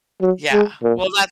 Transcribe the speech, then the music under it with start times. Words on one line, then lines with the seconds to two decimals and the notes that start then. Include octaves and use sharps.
Yeah, well, that's
0.21 F#3
0.53 G#3
0.83 A#2